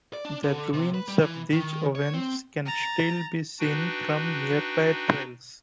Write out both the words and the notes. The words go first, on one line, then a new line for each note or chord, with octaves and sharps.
The ruins of these ovens can still be seen from nearby trails.
D5
D4
D3
C3
B4
G3
E3
D#3
C#5
C4
A#5 A6
D4 D#4 F#4 B4 G5